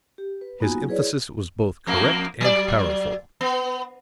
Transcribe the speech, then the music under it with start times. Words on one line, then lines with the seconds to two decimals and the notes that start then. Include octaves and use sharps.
His emphasis was both correct and powerful.
0.18 G4
0.41 B4
0.60 A#3 B3 D#4 F4 F#4 G#5
0.75 F#3
0.88 E4 G#4 B4 C#5 D5
1.87 F2 A#3
2.41 F#3 D5
3.41 B3